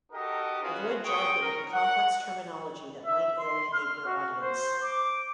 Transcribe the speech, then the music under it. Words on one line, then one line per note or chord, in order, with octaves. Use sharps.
Avoid jargon and complex terminology that might alienate your audience.
D#4 F#4 G4 A4 A#4 D#5
C#4 F4 F#4 G#4 B4 F5
C4 G#4 B4 G5 C#6 D#6
A#4
F#5
E5
C6
F6
F#4
C5
D6